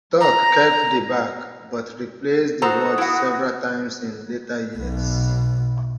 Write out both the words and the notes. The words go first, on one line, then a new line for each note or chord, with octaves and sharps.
Tork kept the back, but replaced the watch several times in later years.
A#5
F#4 A4 C5 A#5 D#6
E4 F#5
B1 B2